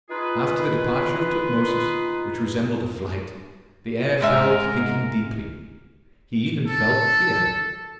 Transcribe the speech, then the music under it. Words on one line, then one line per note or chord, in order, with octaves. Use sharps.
After the departure of Tutmosis, which resembled a flight, the heir fell to thinking deeply; he even felt fear.
D#4 F4 G#4 B4
G#2 G#3 A#4 E5
A4